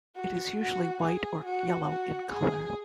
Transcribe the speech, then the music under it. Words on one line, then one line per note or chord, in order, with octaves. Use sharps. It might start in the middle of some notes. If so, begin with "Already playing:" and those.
It is usually white or yellow in colour.
F#4
F#4
G#4
F#4
F#4
G#4